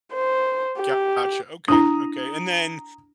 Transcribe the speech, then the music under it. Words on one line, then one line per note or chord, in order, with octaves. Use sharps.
Gotcha, okay, okay, and then
C5
G4
D4 E4 A#5 D#6